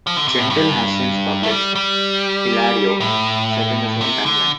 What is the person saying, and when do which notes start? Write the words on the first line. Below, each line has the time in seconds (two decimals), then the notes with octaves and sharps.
Gentle has since published "Ilario", set in the same timeline.
0.07 F3
0.17 D3
0.28 C3
0.40 A2
0.50 G2
1.43 A3
1.51 G3
1.75 G3
3.00 A2
4.01 C3
4.26 D3